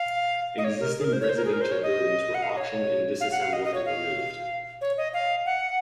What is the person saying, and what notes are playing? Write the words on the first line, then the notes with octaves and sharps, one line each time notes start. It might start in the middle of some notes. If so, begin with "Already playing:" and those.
Existing residential buildings were auctioned and disassembled and removed.
Already playing: F5
D#5
C#5
A#4
G#4
A#4
C5
C#5
C5
A#4
G#4
A#4
C5
C#5
D#5
F#5
F5
D#5
C#5
F5
F#5
F5
D#5
D#5
C#5
F5
C#5
D#5
F5
F#5